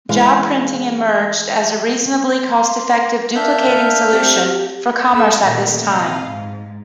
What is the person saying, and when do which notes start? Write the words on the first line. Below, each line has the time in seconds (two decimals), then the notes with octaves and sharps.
Job printing emerged as a reasonably cost-effective duplicating solution for commerce at this time.
0.09 E3 G#3 F5
2.45 C6
3.35 D4 A#4 E5 F5 G6
4.12 C4 G4
5.14 A4 B5 E6 F6
5.43 A1 A#2 D#3 A3
5.87 C3 D#5 F5 A#6
6.25 G#2